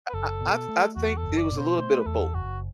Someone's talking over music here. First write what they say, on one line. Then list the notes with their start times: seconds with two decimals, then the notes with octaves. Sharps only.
I I I th I think it was a little bit of both,
0.09 B4
0.13 F#1 A4
0.41 B2
0.69 A3
0.96 E2 F#4
1.17 A4
1.23 F#1
1.38 D5
1.52 B2
1.58 C5
1.78 A3 C5
2.01 B4
2.06 E2 A4
2.34 F#1 F#4